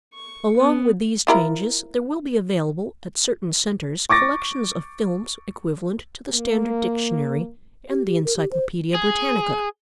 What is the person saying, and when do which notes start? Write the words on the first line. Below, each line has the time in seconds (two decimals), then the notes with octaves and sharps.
Along with these changes, there will be available at certain centres collections of films equivalent to the Standard Dictionary and the Encyclopaedia Britannica.
0.13 C#6
0.57 B3
1.27 F3 E4 A#4
4.09 C#6 D6 A6 A#6
6.34 A#3
7.90 G4
8.06 G4
8.25 A#4
8.37 G4
8.52 C5
8.94 G#4